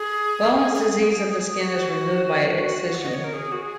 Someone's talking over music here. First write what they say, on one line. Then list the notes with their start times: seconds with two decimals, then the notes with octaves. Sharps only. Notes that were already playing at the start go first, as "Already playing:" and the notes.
Bowen's disease of the skin is removed by excision.
Already playing: G#4
0.74 G#4
1.61 F#4
2.95 F#5
3.05 D#5
3.14 C#5
3.24 A#4
3.33 G#4
3.52 F#4
3.62 G#4